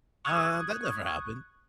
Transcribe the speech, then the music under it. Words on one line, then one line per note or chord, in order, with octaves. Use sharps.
"Uh, that never happened."
C#6 D#6 F#6 G#6